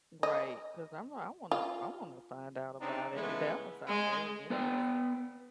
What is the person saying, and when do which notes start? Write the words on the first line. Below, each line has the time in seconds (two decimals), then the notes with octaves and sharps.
Right, 'cause Imma I wanna I wanna find out about it, that one sound very interesting.
0.23 D#5
1.52 F4
2.80 C#3 C4 D4 D#4
3.14 C#3 E3 G#3 A3 B3
3.87 G#3
4.50 B3 B4 D5 G5